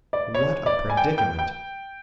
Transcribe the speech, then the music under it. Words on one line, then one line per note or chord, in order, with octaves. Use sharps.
What a predicament!
D5
C#5
D5
G#5
G5
G5
G5